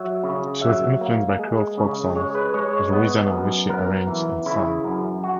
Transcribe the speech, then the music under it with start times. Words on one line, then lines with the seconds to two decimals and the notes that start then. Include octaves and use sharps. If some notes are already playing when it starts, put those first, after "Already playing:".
She was influenced by Creole folksongs of Louisiana which she arranged and sang.
Already playing: F#3 E5
0.23 C#3
0.61 F#3 E5
1.01 A#3
1.39 G#3
1.77 C#3
2.15 G#3 C#5
2.35 B4
2.54 G#3 C#5
2.73 C#5
2.93 B3 D#5
3.30 F#2
3.69 B3 A#4
4.07 E3
4.46 C#3 E4
4.84 F#2
5.24 F#4